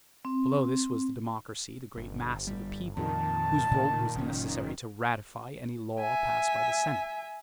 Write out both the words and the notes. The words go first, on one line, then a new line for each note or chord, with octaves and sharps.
Below this was the democracy, the great mass of the people, whose vote was necessary to ratify any law passed by the senate.
C4
G1
G3
F2 A#2 D#3 A5
D2 A2 C#3
F#1 C#4
E5 G#5